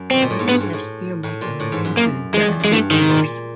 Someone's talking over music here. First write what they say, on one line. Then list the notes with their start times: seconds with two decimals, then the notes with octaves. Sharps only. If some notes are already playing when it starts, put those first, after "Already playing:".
The leaves are scale-like, arranged in decussate pairs.
Already playing: F#2
0.11 B2 C4
0.21 A#2
0.30 A2
0.39 G#2
0.48 G2 B3
0.61 G#2
0.73 A2
1.23 A2
1.41 A#2
1.60 A2
1.72 G#2
1.85 F#2
1.97 F#2 A#3
2.34 F2 G#3
2.47 E2
2.60 F#2 G#3
2.72 G2 A3
2.90 G#2 D#3
3.09 A#2